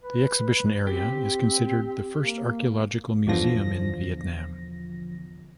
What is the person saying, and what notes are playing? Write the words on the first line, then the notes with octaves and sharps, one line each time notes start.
The exhibition area is considered the first archaeological museum in Vietnam.
B4
C4 G4
A#3
E2 B2 D3 F3 A#6